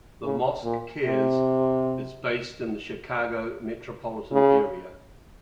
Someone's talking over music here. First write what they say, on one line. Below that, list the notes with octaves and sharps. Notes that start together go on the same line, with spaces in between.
The Mosque Cares is based in the Chicago metropolitan area.
C#3
A#2
C3
C#3